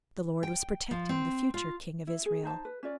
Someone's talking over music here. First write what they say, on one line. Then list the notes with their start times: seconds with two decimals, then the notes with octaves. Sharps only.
The Lord was protecting the future king of Israel.
0.43 G5
0.91 F3
1.09 C4
1.54 F4
2.07 E4
2.26 G#4
2.43 D#4 C5 A5
2.65 B4
2.83 C#4 F4 D5